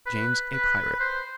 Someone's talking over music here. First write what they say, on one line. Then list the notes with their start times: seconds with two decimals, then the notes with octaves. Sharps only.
James, a pirate.
0.06 B4
0.53 B4
0.76 B4
1.00 C5